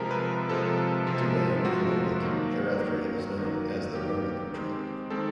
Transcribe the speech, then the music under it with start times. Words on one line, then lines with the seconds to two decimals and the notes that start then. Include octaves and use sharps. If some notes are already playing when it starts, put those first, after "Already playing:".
"Dibang" and "Lohit"; thereafter, it is known as the "Brahmaputra".
Already playing: C3 F3 G#3 A#4
0.11 B4
0.49 C3 F3 G#3 A4
1.07 C3 F3 G#3
1.65 C3 F3 G#3 F#4
2.22 D#3 F#3 A#3
2.80 D#3 F#3 A#3
3.38 D#3 F#3 A#3
3.95 D#3 F#3 A#3 G4
4.54 D#3 G#3 C4
5.10 D#3 G#3 C4 A4